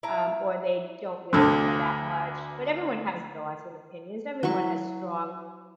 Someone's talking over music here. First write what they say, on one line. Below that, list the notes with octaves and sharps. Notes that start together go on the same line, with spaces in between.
um, or they don't really care that much, but everyone has thoughts and opinions, everyone has strong,
E4 A5 A#5
D2 D3
F#3 E4 B4 C#6